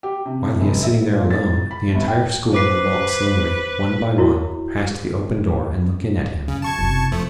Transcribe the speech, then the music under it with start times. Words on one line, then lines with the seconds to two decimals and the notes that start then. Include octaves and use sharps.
While he is sitting there alone, the entire school will walk slowly, one by one, past the open door and look in at him.
0.03 G4
0.26 C3
0.60 F1
0.83 E5
1.13 A#2
1.31 A6
1.71 B5
1.94 G1
2.08 G5
2.53 B4 C5 D6 C7
4.18 E4 F#4 A#4 C#5
6.48 F#2 C#3
6.62 B1 A5 C#6 G#6
6.78 F#1 C3
7.12 C2 F2 F3 A3